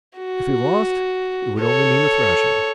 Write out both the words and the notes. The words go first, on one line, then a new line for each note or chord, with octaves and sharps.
If he lost, it would only mean a thrashing.
F#4
A4 C#5